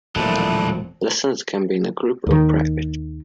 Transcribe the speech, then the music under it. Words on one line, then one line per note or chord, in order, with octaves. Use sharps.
Lessons can be in a group or private.
E1 F2 A#2 F3 F#3 A3 D4 E4
D#2 D#3